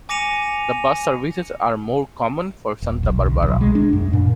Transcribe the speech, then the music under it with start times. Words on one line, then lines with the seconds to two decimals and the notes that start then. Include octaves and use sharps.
The bus services are more common for Santa Barbara.
0.09 G#5 D6 A#6 C#7 D#7 F7
2.82 D#1
3.03 B1
3.26 D2
3.42 B1
3.61 G#3
3.75 D4
3.93 F#2
4.13 A#2